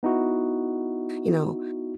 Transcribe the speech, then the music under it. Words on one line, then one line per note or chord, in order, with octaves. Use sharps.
you know,
B3 D#4 E4 F#4